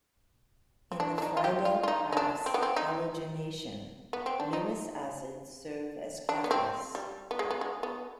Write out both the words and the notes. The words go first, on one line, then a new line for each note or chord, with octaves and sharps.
In the Friedel-Crafts halogenation, Lewis acids serve as catalysts.
C4
D4
D4
D#4
F4
G4
F4
F4
D#4
D#4
D4
C4
B3
C4
D#4
B3
C4
D4
D#4
D4
B3
C4
G3
B3
G#3
B3
G#3
B3